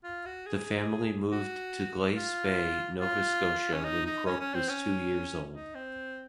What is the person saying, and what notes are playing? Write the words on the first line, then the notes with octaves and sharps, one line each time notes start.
The family moved to Glace Bay, Nova Scotia when Croak was two years old.
F4
F#4
G#4
F#4
F4
F4
C#4
D#4
D#4
C#4
C#4
C4
C#4
D#4
C4